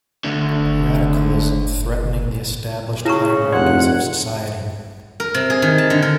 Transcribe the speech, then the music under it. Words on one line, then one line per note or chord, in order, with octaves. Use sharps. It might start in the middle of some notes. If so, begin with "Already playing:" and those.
Radicalism threatening the established hierarchies of society.
D2 D3
C#3 E4 A#5 C#6
F1 D5 F#5 C6
A#4
C3
G#4
D#3
A5
D3
A#4